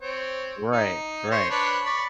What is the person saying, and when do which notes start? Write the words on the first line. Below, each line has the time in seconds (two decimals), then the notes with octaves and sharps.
Right, right,
0.02 C4 C#5
0.73 D#4
1.31 C5 C#5
1.50 D4 B4 C#5
1.85 D5 B5 C#6